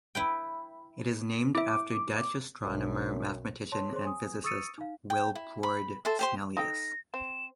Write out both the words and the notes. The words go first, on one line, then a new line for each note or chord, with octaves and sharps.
It is named after Dutch astronomer, mathematician and physicist, Willebrord Snellius.
E4 B4 G5
E4 E5 D6
B1 F#2 D4
C#5 A5 C6
G#4 C5 C#5 C6
G#5 D#6
C#6 D#6 E6 A6 C#7 D#7
D#4 F5
G5
E4
B5
A4 C5 E5
G4 C5 C6
D#4 A4 G5 A#6
C4 E7